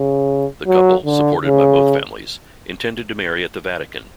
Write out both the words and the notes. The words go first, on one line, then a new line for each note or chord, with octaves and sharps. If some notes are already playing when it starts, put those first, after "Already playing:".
The couple, supported by both families, intended to marry at the Vatican.
Already playing: C#3
F#3
D3
C#3